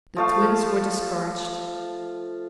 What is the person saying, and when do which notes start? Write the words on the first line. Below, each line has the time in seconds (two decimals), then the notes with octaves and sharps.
The Twins were discouraged.
0.16 F3 A3 F5